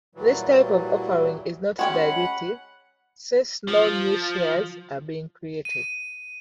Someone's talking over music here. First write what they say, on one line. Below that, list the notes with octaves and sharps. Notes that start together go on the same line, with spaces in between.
This type of offering is not dilutive, since no new shares are being created.
A#2 E3 F#3 G3
G#3 C#4 F#4 F#5 G5 B5
F3
D#7